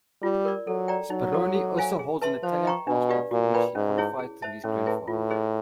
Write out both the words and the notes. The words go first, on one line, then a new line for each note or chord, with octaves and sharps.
Speroni also holds an Italian passport, for which he qualified through his grandfather.
G3 F4
A#4 D5
F#3 A4
D5 G5 A#5
F#3 D#4
F#4 A4
A4
C5 F5 G#5
G#4
B4 E5 A5 C6
F3 C5
D#5 G5 A#5 C#6
B2 D4
G4 B4 D5 F5
A#2 F#4
B4 D5 G5 B5
G#2 C#4
E4 G#4 C#5
G#4
C5 E5 A5
A2 C#4
E4 G#4 B4
A2 F4
G#4 C5 D#5